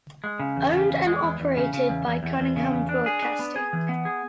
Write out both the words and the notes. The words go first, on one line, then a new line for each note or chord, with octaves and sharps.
Owned and operated by Cunningham Broadcasting.
G#3
C#3
E2
C#3
E2
G#3
E2
E2
C#3
C#3
E2
E2
E2
E2
C#3
E2
D4
G#4
D4
B3
G#4
E3
B3
G#4